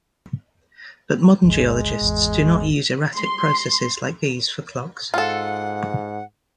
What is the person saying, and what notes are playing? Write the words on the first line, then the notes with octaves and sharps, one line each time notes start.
But modern geologists do not use erratic processes like these for clocks.
G1 C#2 G#3
G#1 E2
C6
G#2 F4 A4 F#5